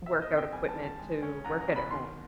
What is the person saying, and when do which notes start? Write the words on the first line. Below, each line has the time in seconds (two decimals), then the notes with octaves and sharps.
workout equipment to work at home
0.06 B2 E5
0.22 D#5
0.29 C4
0.37 G5
0.52 G3 G#5
0.69 A5
0.76 D#3
0.83 A5
0.99 G#3
1.22 C#4
1.44 C2 A#5
1.61 A#5
1.68 B2
1.76 B5
1.91 D#3 C6